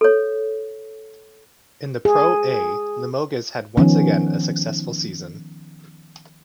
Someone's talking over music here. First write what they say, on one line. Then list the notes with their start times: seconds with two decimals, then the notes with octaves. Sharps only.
In the Pro A, Limoges had once again a successful season.
0.01 A4 C#5
2.05 G#4
3.77 D#3 F3 B3 C#4